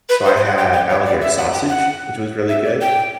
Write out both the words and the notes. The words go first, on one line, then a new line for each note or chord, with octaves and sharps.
So, I had alligator sausage, which was really good.
B4
C5
C5
F#5
G5
G5
C#5
D5
E5
F#5
G5
F#5
E5
D5
G5